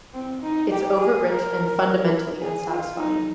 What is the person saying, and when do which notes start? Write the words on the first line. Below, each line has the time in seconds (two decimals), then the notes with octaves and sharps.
It's overrich and fundamentally unsatisfying...
0.14 C4
0.43 D#4
0.72 G4
0.99 G#4
1.28 A#4
2.41 G#4
2.69 F4
2.98 D#4